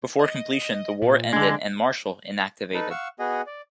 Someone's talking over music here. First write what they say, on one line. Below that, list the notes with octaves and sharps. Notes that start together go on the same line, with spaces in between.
Before completion, the war ended and "Marshall" inactivated.
D#5
A#2
D3 G#3 D4
D#4 A4 B4
F5 F#5 C#6 E6
B3 F#4 G#4 D#5
D5